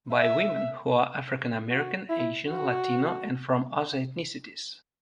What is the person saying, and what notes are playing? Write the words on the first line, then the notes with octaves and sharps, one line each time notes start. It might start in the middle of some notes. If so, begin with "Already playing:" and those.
By women who are African American, Asian, Latino and from other ethnicities.
E5
F#4
E4
F#4